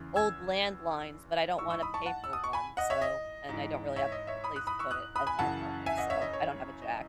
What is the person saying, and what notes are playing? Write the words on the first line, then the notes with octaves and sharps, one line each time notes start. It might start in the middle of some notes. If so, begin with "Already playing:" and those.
old landlines, but I don't wanna pay for one, so and I don't really have a place to put it in my apartment, so I don't have a jack.
Already playing: E2 C#3 E3
E6 G#6
G#2 E3 C#6 E6
C#6 E6
B5 D#6
A5 C#6
F#5 A5
E6
D#6
C#6
G#5 B5
D#5 F#5
C#5 E5
D#5
G#2 E3
C#5 E5
D#5
C#5 E5
B5 D#6
D#6 F#6
B5 D#6
C#6 E6
D#6 F#6
B5 D#6
G#5 B5
F#2 C#3 E3 F#5 A5
E5 G#5
D#5 F#5
C#5 E5
D#5
C#5
D#5